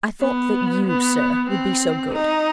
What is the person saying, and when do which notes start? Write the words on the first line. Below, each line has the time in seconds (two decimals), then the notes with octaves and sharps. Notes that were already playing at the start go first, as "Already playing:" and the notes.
"I thought that you, sir, would be so good!"
0.21 B3
0.86 B3
1.49 C4
2.13 D#4